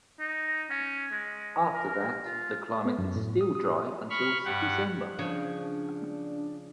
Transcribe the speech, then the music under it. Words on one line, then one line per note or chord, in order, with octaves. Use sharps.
After that, the climate is still dry until December.
D#4
C#4
G#3
A#4
F4
B3
F#2
A2
D#6
D#6
B5 C#6 F6
G2 G4 F#5
C#3 F3 D4 C#5